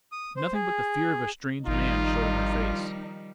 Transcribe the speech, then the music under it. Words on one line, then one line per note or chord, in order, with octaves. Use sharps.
Nothing but the fear of a strange man showed in her face.
D#6
C5
G#4
G#1 D#3 F3 G3 D#4 F4